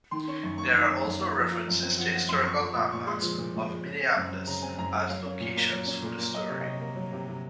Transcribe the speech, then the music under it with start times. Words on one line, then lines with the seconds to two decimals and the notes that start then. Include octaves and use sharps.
There are also references to historical landmarks of Minneapolis as locations for the story.
0.11 D#3 C6
0.28 C#4 C#6
0.43 F#2 C#6
0.58 A#3 C#6
0.73 D#3 C#6
0.90 C#4
1.04 F#2
1.20 A#3
1.36 F3
1.51 F4
1.68 F#2
1.83 C4
1.98 F3 F#5
2.13 F4 F#5
2.29 F#2 C6
2.45 C4 C#6
2.60 F3 C#6
2.76 A#2 C6
2.91 A#2 C#6
3.07 G#3 C6
3.22 F3
3.38 A#2
3.54 A#2
3.69 G#3
3.85 C#3
4.01 C4
4.16 F#2
4.32 F#3
4.47 C#3 A#5
4.62 C4 G#5
4.78 F#2 A#5
4.94 F#3 G#5
5.09 F#3 F5
5.25 C#4
5.40 A#2
5.57 A#3
5.71 F#3
5.87 C#4
6.02 A#2
6.18 A#3
6.33 F#3 D#5
6.48 C3 C#5
6.61 C3 D#5
6.81 A#3
6.96 F#3
7.12 C3
7.28 C3